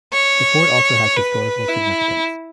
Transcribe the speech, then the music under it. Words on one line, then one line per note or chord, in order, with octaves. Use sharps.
The fort also has historical significance.
C#5
B4
E4